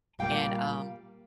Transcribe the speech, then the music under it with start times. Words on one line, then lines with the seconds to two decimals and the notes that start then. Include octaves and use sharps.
and, um,
0.19 A#2 G3 A#3 F5 G5